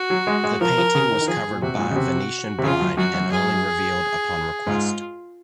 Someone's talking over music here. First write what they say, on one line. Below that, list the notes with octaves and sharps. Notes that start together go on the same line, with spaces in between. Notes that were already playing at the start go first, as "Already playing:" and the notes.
The painting was covered by a venetian blind and only revealed upon request.
Already playing: F#4
F#3
G#3
G#3
F3 A#4
F3
C#3
D#3
D#3
F3 G#4
A#2
C3 F#4
G#2
A#2
C#3
C3
C3
C#3 F4
F#2
F#2 F#4
F#2
G#4
G#2 F4